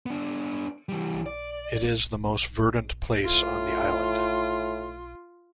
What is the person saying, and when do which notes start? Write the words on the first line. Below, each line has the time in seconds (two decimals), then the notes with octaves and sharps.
It is the most verdant place on the island.
0.06 B3 D4
0.89 E3 G3
1.26 D5
3.25 A2 F4